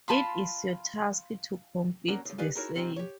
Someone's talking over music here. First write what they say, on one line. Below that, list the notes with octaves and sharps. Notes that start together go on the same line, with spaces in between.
It is your task to complete the sale.
F4 A5 B5 C6
F#3 A#3 C#4 A#4 D5
A2 C#3
G4 B4 D5 D#5 F5 G#5
D#4 E4 F#4 G#4 A#4 C#5
C2 D#3 C4 G4 D#5 G#5
G4 C#5